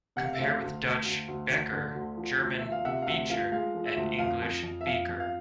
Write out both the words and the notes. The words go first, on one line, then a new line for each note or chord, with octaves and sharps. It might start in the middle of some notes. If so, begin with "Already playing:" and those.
Compare with Dutch "beker", German "Becher" and English "beaker".
C3 F#5
F5
E5
D2 F5
D2
D2
D2
D2
D2
D3
D2
F3
D2
F3 E5
F5
C3 E5 F#5
F5
D2 E5 F#5
F3 F5
G#3 F5
F3
E5
D2
F2 F5
F2
F2
E5
F2 F5
F2
F5